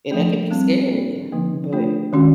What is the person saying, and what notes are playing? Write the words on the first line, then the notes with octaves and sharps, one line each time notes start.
and that could be scary, but,
F3 A3 D4
G3 C4 E4
A#3 D4 F4
D3 F3 A#3 D#4
A3 D4 F4
D#3 G#3 C#4 F#4